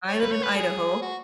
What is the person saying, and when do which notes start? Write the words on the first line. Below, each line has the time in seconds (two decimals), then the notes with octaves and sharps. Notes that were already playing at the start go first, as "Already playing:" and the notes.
I live in Idaho,
0.08 C#5
0.20 B4
0.31 C#5
0.43 B4
0.56 G#4
1.02 F#4